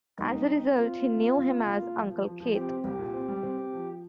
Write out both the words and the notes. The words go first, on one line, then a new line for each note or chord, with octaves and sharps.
As a result, he knew him as "Uncle Keith".
C2 D#4
C2
C4
C4
C4 F4
C4
C4
C4
C#3
A#3
C#3
A#3
F3
F3
F3
F3
C4 G4
C4
C2 G4
A#2
C4
G3
C4
C4
F3